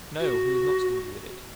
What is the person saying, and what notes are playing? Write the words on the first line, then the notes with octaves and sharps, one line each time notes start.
No, he was not stingy with it.
F#4